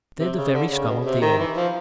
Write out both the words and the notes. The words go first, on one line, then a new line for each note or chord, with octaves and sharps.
They're the very scum of the earth.
C3
C#3
D3
C#3
B2
C3
D#3
E3
F3